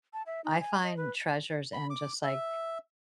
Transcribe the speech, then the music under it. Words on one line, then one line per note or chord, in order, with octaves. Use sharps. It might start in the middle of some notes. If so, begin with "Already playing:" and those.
I find treasures in just, like
A5
E5
D#4
G#5
D#5
B4
B5
D6
E5